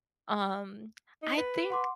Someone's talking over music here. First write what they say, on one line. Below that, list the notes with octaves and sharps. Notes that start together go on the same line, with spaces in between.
um, I think
D#4
B4
F#5 C6 D6